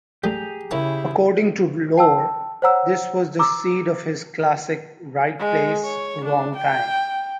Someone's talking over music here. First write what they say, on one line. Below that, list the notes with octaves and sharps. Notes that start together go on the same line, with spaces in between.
According to lore, this was the seed of his classic, Right Place, Wrong Time.
A1 G3 A3 G4 G#4 A#5
C#3 E4 A#4 C#5 F5
G5 A5 E6
C5 C#5 F#5 A#5 E6
A#5 D6 E6
G#3
C#5
D4
G5